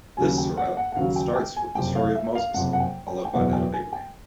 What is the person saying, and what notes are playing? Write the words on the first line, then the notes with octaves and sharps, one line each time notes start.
This surah starts with the story of Moses, followed by that of Abraham.
D#2 C#3 F#3 G#5
G5
F#5
F#5
F#5
D#2 C#3 F#3 F5
G5
G5
G#5
F#1 F2 C3 G5
F5
E5
F5
F#1 F2 C3 F#5
F#5
G5
G5
G5
F#1 E2 B2 F#5
G5
G#5
G5